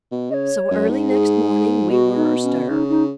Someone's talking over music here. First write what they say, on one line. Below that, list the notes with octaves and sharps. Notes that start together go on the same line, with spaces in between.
So early next morning we were astir.
B2
C#3 C#5 D#5
F#2
G#2
G#4
B2 F#4
D#4
C#4
C#3 D#4
D#4